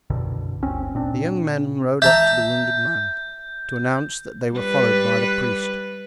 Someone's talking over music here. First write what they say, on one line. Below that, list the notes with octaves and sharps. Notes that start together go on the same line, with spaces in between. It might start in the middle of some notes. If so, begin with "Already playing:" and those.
The young men rode up to the wounded man to announce that they were followed by the priest.
C2 F#2 B2 D3
G1 D2 C4 C#4
A#2 C4 D4
E5 A5 A#5 G6
G3 B4